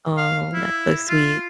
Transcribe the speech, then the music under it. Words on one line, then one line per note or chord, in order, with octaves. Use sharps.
Oh, that's so sweet.
F5
E4
F4